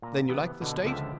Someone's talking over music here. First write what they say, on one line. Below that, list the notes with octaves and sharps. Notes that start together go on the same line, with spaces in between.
"Then you like the State?"
A#2 A#5
C3 E3 B3
B2 D3
C#2 D3 F3 E5 G5